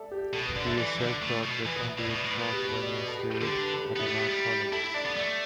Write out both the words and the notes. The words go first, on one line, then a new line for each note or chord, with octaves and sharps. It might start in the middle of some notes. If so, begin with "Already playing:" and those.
He is self-taught, with only a short one-year stay at an art college.
Already playing: A4 D5 E5
G4
B2 A4
B4
D3 D5
E5
E3 D5
D3
A2
B2
E3 B4
B2
E5
A2 D5
B2 B4
A2
B4
B2
G4
B4
D5
B4
A4
G4
G4
D3 A4
G4
B4
A4
G4
B3
E4
A3
B3 G4
G3
G4
E4 A4
E4
D4 D5
B3
A3 D5